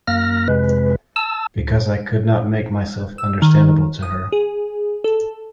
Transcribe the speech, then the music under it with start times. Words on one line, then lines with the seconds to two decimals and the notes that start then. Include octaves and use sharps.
Because I could not make myself understandable to her.
0.07 F#2 A#3 F6 A#6
0.48 F2 C3 G#3 B4
1.16 A5 E6
1.58 D2
3.18 E6
3.42 D#3
4.02 D#6
4.32 G#4
5.04 A4